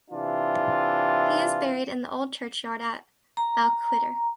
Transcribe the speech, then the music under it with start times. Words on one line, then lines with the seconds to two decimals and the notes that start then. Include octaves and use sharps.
He is buried in the old churchyard at Balquhidder.
0.11 C3 E3 D4 F4
3.37 A#5